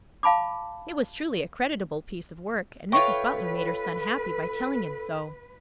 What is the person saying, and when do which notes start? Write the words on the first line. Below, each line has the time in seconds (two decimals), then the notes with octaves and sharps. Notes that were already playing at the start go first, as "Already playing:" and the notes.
It was truly a creditable piece of work, and Mrs. Butler made her son happy by telling him so.
0.23 F5 A5 B5 D6
2.92 F4 A4 B4 C#5 E5 G5 C#6